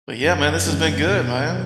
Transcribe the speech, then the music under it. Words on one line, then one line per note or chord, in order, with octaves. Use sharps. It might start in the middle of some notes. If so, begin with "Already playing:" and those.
But, yeah, man, this has been good, man.
F#2
E3 G#3 C#4
B2
F#3